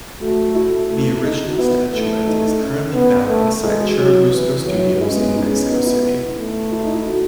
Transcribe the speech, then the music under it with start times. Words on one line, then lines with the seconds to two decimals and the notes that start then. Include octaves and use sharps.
The original statuette is currently found inside Churubusco Studios in Mexico City.
0.20 A3 F#4
0.48 F#4
0.55 E4
0.88 A3
1.23 D#4
1.46 F#4
1.57 B3 E4
1.92 A3
2.26 D#4
2.43 D#4
2.60 C#4
2.94 B3
3.28 A3
3.63 G#3 E4
3.80 F#4
3.97 F#3 F#4
4.31 E3
4.66 F#3 F#4
4.77 E4
4.88 E4
5.00 G#3 E4
5.08 C#4
5.17 B3
5.26 C#4
5.35 D#4
5.52 C#4
5.68 B3 D#4
5.86 E4
6.37 A3
6.72 E4
6.83 D#4
6.94 E4
7.06 F#4